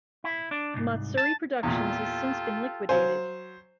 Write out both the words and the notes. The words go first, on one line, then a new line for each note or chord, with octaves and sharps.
Matsuri Productions has since been liquidated.
E4
D4
C2 G#2
A5
E2 A#2 F4 G4 A4
F#3 C5 F5 G#5